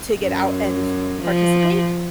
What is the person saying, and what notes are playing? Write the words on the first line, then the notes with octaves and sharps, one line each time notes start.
to get out and participate.
F#2
F3